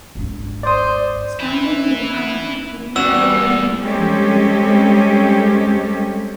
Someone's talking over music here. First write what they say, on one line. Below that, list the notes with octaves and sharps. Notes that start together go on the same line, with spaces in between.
Stanley was an adequate but not overwhelming hitter.
G#1 D4
C5 D5 D#6
E4 B4
E2 G3 F#4 E6
G3 G#3 C4 C#4 G4 A4